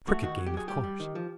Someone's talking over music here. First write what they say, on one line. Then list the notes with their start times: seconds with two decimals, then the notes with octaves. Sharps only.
A crooked game, of course.
0.08 A3 F#4
0.23 D#3 F#4
0.38 F#3
0.46 G4
0.54 F#3 G#4
0.68 G3 G4
0.84 G3
1.00 D#3
1.15 F3